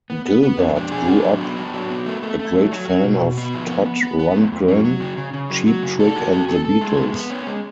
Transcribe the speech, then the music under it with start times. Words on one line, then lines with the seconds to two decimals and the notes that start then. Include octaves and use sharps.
Gilbert grew up a great fan of Todd Rundgren, Cheap Trick and The Beatles.
0.10 B3
0.26 B3
0.43 B3
0.59 F2
0.76 D4
0.92 G#4
1.08 D4
1.24 F#3
1.41 B3
1.57 D4
1.74 F#3
1.90 B3
2.06 A3
2.22 A3
2.39 A3
2.56 F#3
2.72 F#3
2.88 F#3
3.04 B2
3.21 B2
3.37 B3
3.54 F3
3.70 B3
3.86 B3
4.03 B3
4.19 B3
4.36 F2
4.52 F2
4.68 F#3
4.84 F#3
5.00 C#3
5.17 C#3
5.34 C#3
5.50 F#3
5.66 F#3
5.83 C#3
6.00 A4
6.16 F#4
6.32 A4
6.48 A4
6.65 A4
6.81 G#3
6.97 B3
7.14 B3
7.30 C#4
7.47 G#3